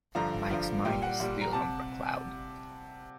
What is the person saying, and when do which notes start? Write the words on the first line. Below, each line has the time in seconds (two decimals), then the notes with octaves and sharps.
Mike's mind was still under a cloud.
0.15 G2 D3 F3 A#5
0.50 G2 D3 F3
0.85 A#2 G3 G5
1.02 F#5
1.20 A#2 G3
1.41 A#5
1.53 C3 A5